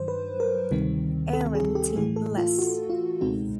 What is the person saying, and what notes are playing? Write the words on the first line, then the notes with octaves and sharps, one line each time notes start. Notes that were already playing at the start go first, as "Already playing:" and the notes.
Aaron T. Bliss.
Already playing: G2 D#3 F#3 C5
B4
A#4
D2 C3 D#3 G3 C4
A4
G#4
G4
A2 E3 A3 G#4
A4
F4
F#4
F4
C#2 B2 G#3 C4 D#4 F#4